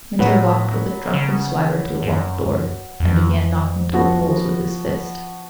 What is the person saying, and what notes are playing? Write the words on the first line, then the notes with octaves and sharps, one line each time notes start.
Mitya walked with a drunken swagger to the locked door, and began knocking to the Poles with his fist.
A2 F#3 B3 F#4 B4
C#3
G#2
F#2
F2
F3 B3 F#4